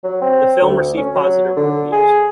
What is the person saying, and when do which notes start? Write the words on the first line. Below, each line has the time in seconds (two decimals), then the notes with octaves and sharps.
The film received Positive Reviews.
0.04 F#3
0.21 C4
0.62 D2
0.97 C#4
1.15 F#3
1.57 D3
1.92 G#4